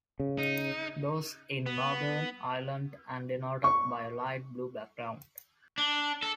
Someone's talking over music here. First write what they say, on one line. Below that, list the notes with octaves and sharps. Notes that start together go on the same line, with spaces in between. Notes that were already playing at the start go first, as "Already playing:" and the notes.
Those in Northern Ireland are denoted by a light blue background.
C#3
D#4
B3
C#6
D4
A4